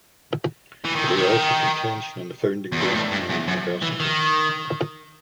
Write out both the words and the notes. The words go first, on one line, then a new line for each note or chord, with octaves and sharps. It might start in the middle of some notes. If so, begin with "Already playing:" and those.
There is also contention on the founding dates of many universities.
E3
D#3
C3
D#3
E2
F#2
G2
A2
G2
E2
F#2
E3
D#3